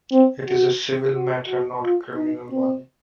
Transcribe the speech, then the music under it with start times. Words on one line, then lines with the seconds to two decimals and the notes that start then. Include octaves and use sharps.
It is a civil matter, not a criminal one.
0.12 C4
0.46 F#4
1.14 F#4
1.47 F#4
1.82 F4
2.16 D#4
2.50 C4